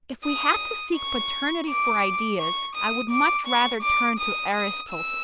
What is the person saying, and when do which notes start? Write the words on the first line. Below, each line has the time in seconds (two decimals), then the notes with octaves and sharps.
If we had to seek paternity for ideas I would much rather turn to Aristotle.
0.25 D#6
0.96 C#6
1.69 D6
2.40 C#6
2.76 D#6
3.11 D6
3.47 C#6
3.83 D6
4.19 D#6
4.55 D#6
4.91 E6